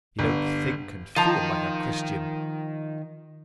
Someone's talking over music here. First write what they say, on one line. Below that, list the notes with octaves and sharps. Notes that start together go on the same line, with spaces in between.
He don't think and feel like a Christian.
G1
D#3 F3 D#5 A#5